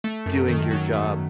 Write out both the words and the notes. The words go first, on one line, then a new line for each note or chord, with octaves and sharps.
doing your job,
A3
F#2
D#3
F#3
A3